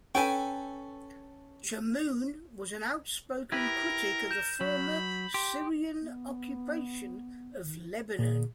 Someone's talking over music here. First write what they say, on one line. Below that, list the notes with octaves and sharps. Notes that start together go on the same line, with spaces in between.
Chamoun was an outspoken critic of the former Syrian occupation of Lebanon.
C#4 A4 B4 G5 G#5
E4 G4 A#4 B4
G6 E7
F#3 B5
G4 C6
B3
A#2 G#4